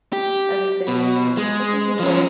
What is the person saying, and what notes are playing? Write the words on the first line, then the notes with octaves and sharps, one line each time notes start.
everything in your mind. That sounds beautiful.
G4
B2
G#3
F3 C#4